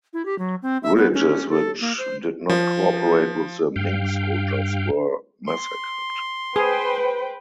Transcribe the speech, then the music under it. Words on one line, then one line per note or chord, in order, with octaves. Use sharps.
Villages which did not cooperate with the Ming soldiers were massacred.
E4
G4
F#3
C4
E5
B3
C#4
A4
A#3
C5
F3
G2 F5 G5
C6
G#4 B4 C5 G5